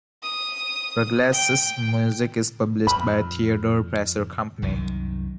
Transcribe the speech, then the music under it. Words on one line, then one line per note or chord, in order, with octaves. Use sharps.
Ruggles's music is published by Theodore Presser Company.
D#6
G5
F2 B5
C2 F#2 D#3